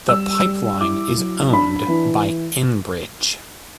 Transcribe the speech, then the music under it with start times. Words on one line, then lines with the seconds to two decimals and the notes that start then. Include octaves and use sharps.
The pipeline is owned by Enbridge.
0.09 G3 E6
0.45 G3
0.81 E4 D6
1.17 F#3
1.52 D4 B5
1.88 E3